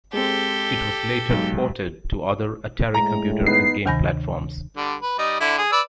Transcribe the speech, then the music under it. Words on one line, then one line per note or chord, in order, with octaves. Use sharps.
It was later ported to other Atari computer and game platforms.
G#3 C4 G4 A4
B1 G#2
A2 G#3 A#5
B3 D#4 C7
D2 C3 D#3 G#5 B5 A#6
D3 G3
B4
G3 D#4
D3 E4
G#4
B4 D5 E6